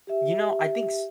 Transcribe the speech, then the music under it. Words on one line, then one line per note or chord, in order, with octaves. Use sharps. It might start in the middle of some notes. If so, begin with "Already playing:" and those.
You know, I think s
G4 E5